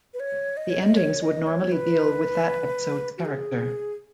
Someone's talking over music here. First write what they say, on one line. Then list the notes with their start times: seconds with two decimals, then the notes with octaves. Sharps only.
The endings would normally deal with that episode's character.
0.14 B4
0.20 C#5
0.57 D#5
0.70 C#5
0.82 D#5
0.96 C#5
1.22 D#5
1.47 C#5
1.72 B4
3.18 F#4
3.25 G#4